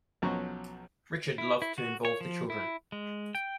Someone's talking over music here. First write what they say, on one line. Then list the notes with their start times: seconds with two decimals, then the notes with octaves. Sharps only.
Richard loved to involve the children.
0.22 B1 F3 F#3 C#4 A#5 C#6
1.38 E4
1.62 E4
1.78 F#4
2.05 C#5
2.21 F3
2.50 E4
2.92 G#3
3.35 G5